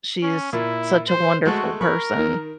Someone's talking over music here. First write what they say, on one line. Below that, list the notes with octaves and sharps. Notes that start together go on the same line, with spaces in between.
She's such a wonderful person.
C#4
A#2 E4
C5
G#3 A3 F#4 A4
A#4 B5 C#6
D#3